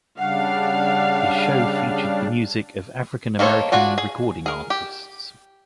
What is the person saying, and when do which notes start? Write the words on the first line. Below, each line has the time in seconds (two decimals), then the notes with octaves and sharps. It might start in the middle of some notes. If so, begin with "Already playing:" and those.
His show featured the music of African-American recording artists.
0.18 C#3 G3 D4 F5 F#5
3.39 D#3 A#3 A4 C5 C#5
3.72 D4 F4 F#4 G#5
3.98 G#4
4.46 G#4 A#4
4.70 G4